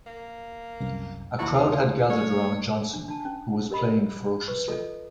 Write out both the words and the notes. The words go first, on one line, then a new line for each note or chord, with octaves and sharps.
A crowd had gathered around Johnson, who was playing ferociously.
A#3
C2 F#2
D#2 E4 F#4 A5
F4
A3 A#3 C#5
D4
D4 A5
C#4
G4 A#4 D#5 B5
B4 C#6
F4 A4 D#5